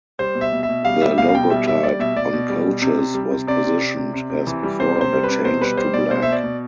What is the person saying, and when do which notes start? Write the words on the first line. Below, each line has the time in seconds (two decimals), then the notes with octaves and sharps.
The logotype on coaches was positioned as before but changed to black.
0.19 G3 C5
0.35 B2
0.41 E5
0.52 B2
0.63 E5
0.69 B2
0.85 G3 F5
1.01 G3 E5
1.17 B2 F5
1.29 F5
1.34 B2 G5
1.50 G3 E5
1.67 G3 E5
1.84 G3 D5
1.99 B2 E5
2.16 B2 D5
2.33 B2
2.50 G3
2.66 B2
2.82 C3
2.98 C3
3.14 G3
3.31 C3
3.47 C3 D5
3.64 C3
3.80 C3
3.96 C3
4.13 C3
4.30 C3
4.47 E3
4.63 G3
4.79 C3 C5
4.96 C3
5.01 C5
5.13 G3
5.24 C3 B4
5.44 B2 C5
5.61 G3 B4
5.77 G3 C5
5.94 B2 D5
6.11 B2 C5
6.22 E5
6.28 B2 D5
6.44 B2